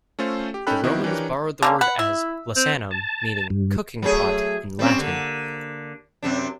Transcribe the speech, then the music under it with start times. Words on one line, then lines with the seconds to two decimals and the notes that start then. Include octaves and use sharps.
The Romans borrowed the word as "lasanum", meaning "cooking pot" in Latin.
0.19 A3 C#4 F4 A4 C5
0.54 G4
0.67 C#4 D#4 A4 G5 B5 F#6
0.84 D#3 B3 C4 D#4 E4 F#4
1.04 E3 D4 D#4 G4 A#4 C#5
1.63 D3 A#3 C#4
1.81 B4 F#5
1.99 E4 E5
2.56 C4
2.91 A5
3.50 G2
4.02 F#3 A3 G#4
4.79 G3 C4 C#4
4.99 D3 A#3
6.23 F#2 C3 D4